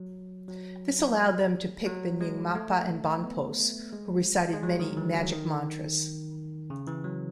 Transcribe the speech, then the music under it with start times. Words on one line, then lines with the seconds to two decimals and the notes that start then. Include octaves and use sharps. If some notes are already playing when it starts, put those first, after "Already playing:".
This allowed them to pick the Nyingmapa and Bonpos, who recited many magic-mantras.
Already playing: F#3
0.48 F#3
1.86 F#3
2.21 G#3
2.55 A3
3.24 B3
3.60 A3
3.93 G#3
4.53 G#3
4.63 F#3
4.79 D#3
4.97 E3
5.14 F#3
5.32 D#3
6.70 C#3
6.87 E3
7.04 F#3